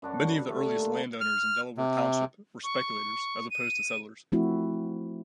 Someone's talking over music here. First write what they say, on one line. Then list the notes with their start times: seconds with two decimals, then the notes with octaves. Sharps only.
Many of the earliest landowners in Delaware Township were speculators as opposed to settlers.
0.02 F#2 D4 F#4 B4
0.20 G3 F#4
0.47 D3 A3 G4
0.79 A#3 F4
1.21 F6
1.78 C3
2.64 C#6
3.51 D#7
4.32 F3 A3 C4 E4 F#4